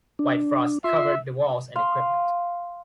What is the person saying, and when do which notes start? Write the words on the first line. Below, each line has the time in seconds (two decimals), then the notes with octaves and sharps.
White frost covered the walls and equipment.
0.19 D4
0.84 F4 E5 C6
1.76 F5 C6